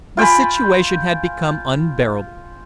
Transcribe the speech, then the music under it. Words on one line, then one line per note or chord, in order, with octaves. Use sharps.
The situation had become unbearable.
F4 G5 G#5 B5